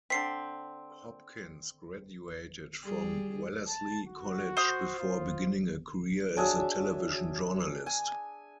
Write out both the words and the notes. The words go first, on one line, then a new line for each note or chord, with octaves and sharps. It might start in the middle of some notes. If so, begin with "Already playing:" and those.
Hopkins graduated from Wellesley College before beginning a career as a television journalist.
D3 C4 B6 C7
G3 G#4
A5
F#4
C5 D#6
F4
D4 F#4 G#4 C#5 E5
G#5